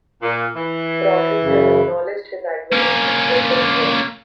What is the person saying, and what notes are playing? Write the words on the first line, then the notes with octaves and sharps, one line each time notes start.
Broderick has acknowledged his admiration of Golden's work.
A#2
E3
F#2 C#3
A#3 C#4